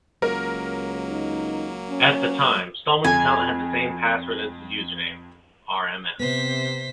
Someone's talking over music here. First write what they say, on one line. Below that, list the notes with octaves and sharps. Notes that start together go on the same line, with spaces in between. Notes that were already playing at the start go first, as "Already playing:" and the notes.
At the time, Stallman's account had the same password as its username: "rms".
C#2 F#3 A#3 A#4
D#4
C#4
F2 G#5 G#6
C3 B3 C5 B6